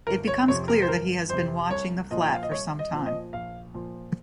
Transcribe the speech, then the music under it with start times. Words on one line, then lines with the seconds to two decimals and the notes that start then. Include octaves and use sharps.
It becomes clear that he has been watching the flat for some time.
0.07 G1 A#4
0.27 C#5
0.48 F2 C3 C#5
0.68 A#4
0.82 C5
0.88 G1 A#4
1.29 F2 C3 C5
1.70 C2 C#5
2.11 A#2 F3 D#5
2.25 G5
2.33 F5
2.43 D#5
2.51 C2 C#5
2.79 D#5
2.92 A#2 F3
3.06 D#5
3.33 A#1 F5
3.74 A#2 F3